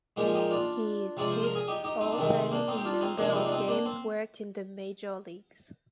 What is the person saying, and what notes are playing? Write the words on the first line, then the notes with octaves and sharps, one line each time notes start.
He is fifth all time in number of games worked in the Major Leagues.
A#2 F3 G#3 D#4 G4
D#4 G4
D4 F4
C3 F3 G#3 D5
C5
A#4
G#4
D#4 G4
D#4 G4
C4 D#4
D4
C3 D#3 G#3 C4
C4
A#3 D4
C4 D#4
G4
D4 F4
C4 D#4
C3 F3 G#3 A#3 D4
D4
C4 D#4
D4
C4 D#4
A#3 D4
C4